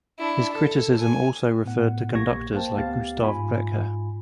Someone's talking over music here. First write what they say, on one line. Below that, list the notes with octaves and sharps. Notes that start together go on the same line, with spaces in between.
His criticism also referred to conductors like Gustav Brecher.
D4 E4
A4
G#5
A2 B3 F#5
A#1 A#3 G4 C#6 G#6 A#6
A#3 C5 G5 A5
D2 B3 G4 F5 A6
G#2 F4 G#5 B5